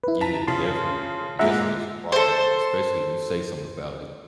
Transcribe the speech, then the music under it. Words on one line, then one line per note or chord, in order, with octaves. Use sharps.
Yeah, definitely, and that's when it's a problem, like, especially if you say something about it,
E4 B4
A5 A#5 B6
C#3 F3 A5 C6
A#2 G#3 E4 E5 F#5 A#5
A4 C5